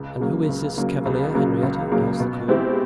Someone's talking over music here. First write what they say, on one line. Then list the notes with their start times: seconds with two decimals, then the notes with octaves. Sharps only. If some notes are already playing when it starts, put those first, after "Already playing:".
"And who is this cavalier, Henrietta?" asked the queen.
Already playing: C#2
0.20 C#3 F#3 A#3
0.49 C#2
0.77 C#3 F#3 A#3
1.05 C#2
1.34 C#3 F#3 A#3
1.63 C#2
1.92 C#3 F#3 A#3
2.20 B2
2.48 G#3 C4 E4 G4